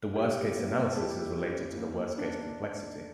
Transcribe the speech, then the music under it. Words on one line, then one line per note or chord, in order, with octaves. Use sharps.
The worst-case analysis is related to the worst-case complexity.
G3 E4 G4
A#3
A4
G3 E4 G4
C#4
A#3
D4